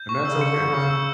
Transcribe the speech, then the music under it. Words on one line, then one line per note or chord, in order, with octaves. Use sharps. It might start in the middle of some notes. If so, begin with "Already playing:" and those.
and that's okay with me.
Already playing: G6
C#6
C#3 E6
C#7
D3
G6
D3
C#3 C#6
C#3 E6